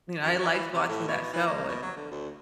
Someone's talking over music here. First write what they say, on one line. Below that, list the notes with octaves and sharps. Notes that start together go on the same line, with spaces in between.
you know, I liked watching that show, and
F#2
F#3
E3
C3
A2
B2
E3
A#3
B2
F#3
D3
D2